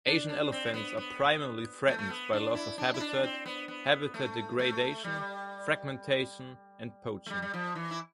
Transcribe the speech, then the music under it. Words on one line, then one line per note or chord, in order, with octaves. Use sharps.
Asian elephants are primarily threatened by loss of habitat, habitat degradation, fragmentation and poaching.
D4
D4
C4
B3
B3
A3
A3
B3
D4
E4
D4
E4
D4
C4
B3
B3
A3
A3
G3
A3
G3
G3
F3
E3
E4